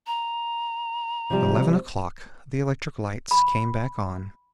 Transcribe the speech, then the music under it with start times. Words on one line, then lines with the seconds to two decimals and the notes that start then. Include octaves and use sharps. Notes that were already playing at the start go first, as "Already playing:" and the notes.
At eleven o'clock the electric lights came back on.
0.07 A#5
1.30 C3 F3 G3
3.31 B5